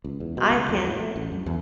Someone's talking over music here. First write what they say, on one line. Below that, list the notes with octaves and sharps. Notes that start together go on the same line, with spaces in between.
I can
C#2
E2
B2
C#2
F2
A2
A3
A1
F#2
E2